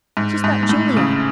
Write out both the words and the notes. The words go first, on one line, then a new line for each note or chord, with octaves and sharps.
She's brought Julia!
G#2
G#2
G#2
A2
C#3